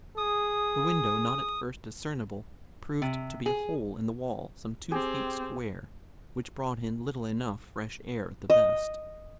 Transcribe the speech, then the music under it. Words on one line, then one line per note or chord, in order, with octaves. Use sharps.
The window, not at first discernible, proved to be a hole in the wall, some two feet square, which brought in little enough fresh air, at the best.
G#4 D#6
C3
G#4
C4 G4 G#4
D#5